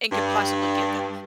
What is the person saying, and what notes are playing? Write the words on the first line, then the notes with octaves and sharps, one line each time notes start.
and could possibly give them.
G2